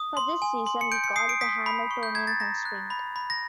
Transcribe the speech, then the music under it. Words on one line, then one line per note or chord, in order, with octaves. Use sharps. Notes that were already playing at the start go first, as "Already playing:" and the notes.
For this reason we call it a Hamiltonian constraint.
Already playing: D#6
C6
G#5
C6
C#7
G6 D7
C#7
D#6 C7
D7
D#6 B6
B5
C#6
G6
A#5 G#6
A6
A#5 A#6
F#6
B5
B5
A#6